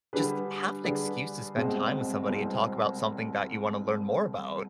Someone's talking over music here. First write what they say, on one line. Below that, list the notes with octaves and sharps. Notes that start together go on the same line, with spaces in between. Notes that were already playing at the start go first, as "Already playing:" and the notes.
just have an excuse to spend time with somebody, and talk about something that you wanna learn more about.
D3 G3 D4 G#4 B4
D3 G3 D4 G#4 B4
C2 B2 G#3 C4
C2 B2 G#3 C4